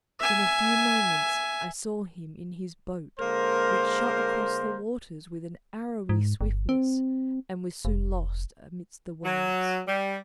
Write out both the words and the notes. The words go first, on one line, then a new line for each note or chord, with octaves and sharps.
In a few moments I saw him in his boat, which shot across the waters with an arrowy swiftness and was soon lost amidst the waves.
E5 G#5
D3 G#3 A#3 A#4 C5
G#2
G1
C4
F1
F#3
G3